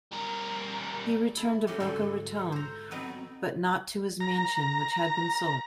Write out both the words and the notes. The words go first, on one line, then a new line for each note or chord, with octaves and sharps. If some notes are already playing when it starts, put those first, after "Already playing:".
He returned to Boca Raton, but not to his mansion, which had been sold.
G3 A#4
E4 A4
C#4 F#4 G4 A4
G#2 D3 A4
A4
C5 A#5
F#3 B3 C4 D#4
A#5